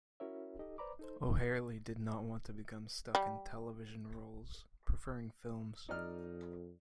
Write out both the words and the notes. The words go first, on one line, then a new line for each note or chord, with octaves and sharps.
O'Herlihy did not want to become stuck in television roles, preferring films.
C#4 E4 F#4 A#4 C#5 E5
D#4 G4 A4 D#5
B4 C5 D5 A#5 B5 D6
D#4 A4 C5
G3
F2 D#4 D5 F6